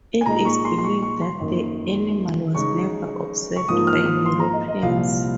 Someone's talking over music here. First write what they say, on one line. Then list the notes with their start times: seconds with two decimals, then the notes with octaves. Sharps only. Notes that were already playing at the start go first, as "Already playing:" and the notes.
It is believed that the animal was never observed by Europeans.
0.21 G#5
0.26 A#2 G#3 D#4 A#5
0.45 C#6
0.65 C6
0.78 C6
0.84 C#6
1.02 C#6
1.21 C6
1.40 F#2 D#3 A#3
2.55 C#3 G#3 D#4 C#6
3.56 C#6
3.68 G#2 F3 A#3 F4 D#6
3.87 F6
4.06 D#6
4.26 C6
4.40 A#5
4.53 D#5
4.68 D#5
4.82 C2 A#2 F3 F5